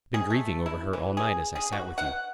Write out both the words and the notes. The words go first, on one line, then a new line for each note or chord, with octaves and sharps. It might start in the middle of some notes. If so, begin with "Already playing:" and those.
I've been grieving over her all night as I sat with you....
G#4
A3
E4
E3
G#4
G#4
F#4
F#5